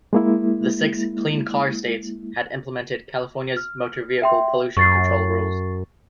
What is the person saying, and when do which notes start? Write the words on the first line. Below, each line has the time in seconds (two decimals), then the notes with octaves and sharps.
The six "clean-car states" had implemented California's motor-vehicle pollution-control rules.
0.13 G#3 A#3 E4
3.57 F6
4.22 E5 G5 C6
4.77 F#2 C#6 A6 C7